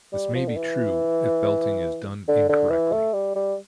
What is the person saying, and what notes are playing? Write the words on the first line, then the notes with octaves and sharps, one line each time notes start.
This may be true if belting is done incorrectly.
G3
F3
D3
E3
D3
D3
E3
A3
G3
G3